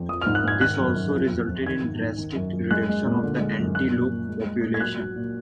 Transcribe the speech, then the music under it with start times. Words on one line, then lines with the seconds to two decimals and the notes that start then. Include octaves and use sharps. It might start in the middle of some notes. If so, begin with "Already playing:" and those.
This also resulted in drastic reduction of the antelope population.
Already playing: F2
0.09 F3 D#6
0.21 F6
0.26 G#2
0.35 F#6
0.44 G#2 G#6
0.61 D#3 F#6
0.79 F#2
0.96 F#2
1.14 F3
1.31 F2
1.49 F2
1.66 D#3 G#6
1.84 G#2
2.00 G#2
2.19 D#3
2.35 F#2
2.53 F#2
2.71 G#3 F#6
2.89 G#3
3.05 A#2
3.23 D3
3.40 G#3
3.59 F#2
3.75 F3 F#6
3.93 A#2
4.10 A#2
4.29 G#3
4.45 G#3
4.63 A#2
4.74 G#6
4.80 F#3 F#6
4.98 F#3
5.16 A#2